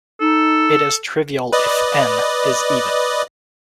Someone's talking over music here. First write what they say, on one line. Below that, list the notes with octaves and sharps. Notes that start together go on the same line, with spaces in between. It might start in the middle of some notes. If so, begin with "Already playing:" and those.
It is trivial if "n" is even.
D#4 A4
B4 D5 D#5